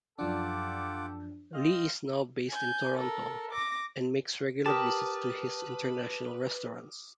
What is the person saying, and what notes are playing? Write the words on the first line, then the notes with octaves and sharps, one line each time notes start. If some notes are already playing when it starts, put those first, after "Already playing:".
Lee is now based in Toronto, and makes regular visits to his international restaurants.
F#2 F3 D4 F4 G4 A4 F#5 D6
C4 D#5 F5
G#5 G6
A4 A#4
D6 A#6
G4 A#4 B4 A5 D6 D#6 F6